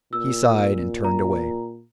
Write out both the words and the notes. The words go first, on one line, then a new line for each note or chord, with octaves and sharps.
He sighed and turned away.
A#2 E6
A#5